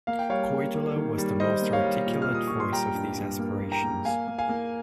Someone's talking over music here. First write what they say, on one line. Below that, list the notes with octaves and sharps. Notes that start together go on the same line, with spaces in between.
Koidula was the most articulate voice of these aspirations.
A#3 F5
G5
G3 C#5 F5
A#3
A#3
D#3
G3
G3 C5 D#5
A#3
C#5 F5
G3
A#2
F6
A#2
D#6
A#2 C#6
C6
G3 G5 A#5
G2
G2
A#3
A#3
G5 A#5
A#3
A#3 F5 G#5
A#3
F5 G#5
A#3